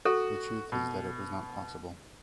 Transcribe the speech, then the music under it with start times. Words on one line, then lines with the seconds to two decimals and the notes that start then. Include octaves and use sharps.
The truth is that it was not possible.
0.05 F#4 A4
0.72 B2